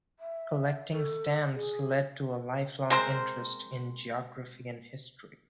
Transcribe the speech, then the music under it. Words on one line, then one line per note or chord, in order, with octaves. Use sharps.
Collecting stamps led to a lifelong interest in geography and history.
E5
A4
G#4
G#3 C4 A#4 C5